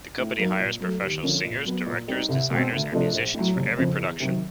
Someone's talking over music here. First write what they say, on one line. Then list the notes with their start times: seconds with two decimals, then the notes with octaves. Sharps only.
The company hires professional singers, directors, designers and musicians for every production.
0.18 A2
0.38 F#3 A#3 D#4
0.59 A#2
0.80 F#3 A3
1.02 D#2
1.23 D3 F3 A#3 C#4
1.44 A#2
1.65 F#3 B3
1.86 A#2
2.08 G3 C4 D#4
2.29 C2
2.50 B2 G#3 C4
2.72 D2
2.92 C3 F3 A3 D4
3.13 A#1
3.34 A2 F#3
3.56 F1
3.77 F2 C#3 F3
3.99 E2
4.20 C3 D#3 F#3